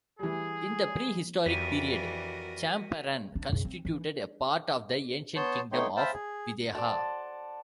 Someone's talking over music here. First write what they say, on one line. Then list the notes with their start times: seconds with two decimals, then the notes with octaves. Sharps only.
In the prehistoric period, Champaran constituted a part of the ancient kingdom of Videha.
0.19 E3 G3 G#4
1.46 F2 E3 G3 F#4 A#4 B6 D#7
3.35 D4
3.49 F#2 C#3
3.65 C4
3.85 E3
5.36 B3 C#5 A5 C6 G6
5.72 A3 B3 D#4 C#5 G5 C6
5.97 C5 E5 F5 G5 A5 B5
6.13 G#4
6.75 C5 D5 F#5 A5